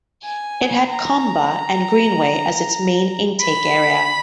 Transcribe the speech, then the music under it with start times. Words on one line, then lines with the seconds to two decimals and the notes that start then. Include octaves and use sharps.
It had Kambah and Greenway as its main intake area.
0.24 G#5
0.88 A#5
3.41 B5